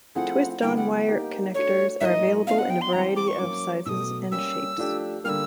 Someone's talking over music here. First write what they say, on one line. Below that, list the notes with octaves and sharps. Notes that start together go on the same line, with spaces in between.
Twist-on wire connectors are available in a variety of sizes and shapes.
F3 A3 C4 E4 G#4 F#5
D3 G3 B3 E4 G5
F#5
A#3 D#4 G4
A3 D4 F#4 C#5
A2 F#3 A#3 D#4 D#5 E5
B3 D4 F4 F5
F#5
G5
C6
E3 G3 C4 A#5
D6
C#6
F#3 A#3 C#4 D6
B2 F#3 A3 D#6 E6
G3 A#3 C#4 E6
F3 A3 D4 G4
D3 G3 A#3 E6 F6